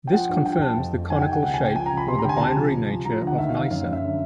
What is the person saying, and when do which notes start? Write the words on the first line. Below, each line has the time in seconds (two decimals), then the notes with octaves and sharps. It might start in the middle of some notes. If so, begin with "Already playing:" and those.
This confirms the conical shape or the binary nature of Nysa.
0.07 G5
0.12 F3 F#5
0.29 G2
0.45 F3 G5
0.61 F3 A5
0.77 F2
0.94 F2
1.10 D#3 G#5
1.17 F#5
1.21 G5
1.27 C3
1.32 F#5
1.43 C#2 F#5
1.54 C#2 G#5
1.65 G5
1.75 F3 G#5
1.86 A#5
1.92 C#2
1.97 B5
2.08 C3 C6
2.19 A#5
2.24 D2 G5
2.29 G#5
2.37 A#5
2.40 C3 A5
2.57 F3
2.73 C3
2.90 F3
3.05 F3 A#5
3.22 D2 F#5
3.38 D#3 E5
3.49 F5
3.54 D#3
3.59 F5
3.71 F#2 F5
3.87 F#2
3.93 E5
4.03 D3